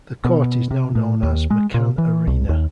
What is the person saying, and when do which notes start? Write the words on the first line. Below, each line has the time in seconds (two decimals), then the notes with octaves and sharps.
The court is now known as McCann Arena.
0.25 B2
0.71 C3
0.95 A2
1.23 D#2
1.50 G#3
1.74 A#2
1.98 E3
2.27 C2
2.49 D#2